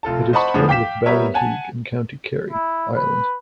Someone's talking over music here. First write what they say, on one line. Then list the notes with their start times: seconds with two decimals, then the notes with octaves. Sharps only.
It is twinned with Ballyheigue in County Kerry, Ireland.
0.03 F1 F4 A4 A5
0.33 C5 D#5 F#5 A5 B5 C#6
0.54 E2 A2 D3 F3 G#3 B3
0.68 F5 G5 D6 B6 E7
1.06 G3 B3 A#4 C#5 E5
1.34 F#5 G#5 A5
2.51 E4
2.96 B4